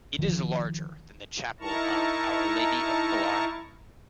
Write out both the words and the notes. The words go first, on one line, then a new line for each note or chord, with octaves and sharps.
It is larger than the Chapel of Our Lady of Pilar.
D#3 F3
D#4 E4 A#4 A5 A#5 C#6